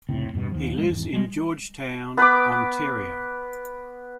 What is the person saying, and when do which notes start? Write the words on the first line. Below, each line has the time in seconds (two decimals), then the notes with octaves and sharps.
He lives in Georgetown, Ontario.
0.09 F1 C#2 A2 C3
0.33 E2 G2 B2 B3
0.52 D#2 F3
0.76 G#1 G#3 B3
0.89 G#1 E2
1.13 G3 G#3
2.17 B3 B4 B5 D6